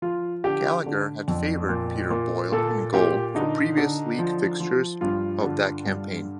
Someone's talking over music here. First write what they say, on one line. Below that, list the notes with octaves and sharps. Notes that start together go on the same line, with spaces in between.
Gallagher had favoured Peter Boyle in goal for previous league fixtures of that campaign.
F3 F4
D3 G4
D3
F2
A#2
A#2
A#2 A4
A#2 G4
D3 D#4
D3
F3
F3
G2 F4
D3
G2